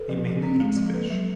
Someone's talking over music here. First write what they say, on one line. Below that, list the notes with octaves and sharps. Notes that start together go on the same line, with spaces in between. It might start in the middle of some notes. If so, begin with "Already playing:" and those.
He mainly eats fish.
Already playing: A4 B4
F3
F3
C4
G#3
F3
A#3 A4 B4
F#3